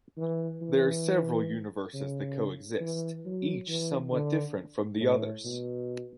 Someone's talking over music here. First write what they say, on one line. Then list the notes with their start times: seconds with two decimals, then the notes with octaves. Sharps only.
There are several universes that coexist - each somewhat different from the others.
0.18 E3
0.62 E3
1.94 C#3
2.80 E3
3.25 F#3
3.68 E3
4.12 D3
5.00 A2
5.44 B2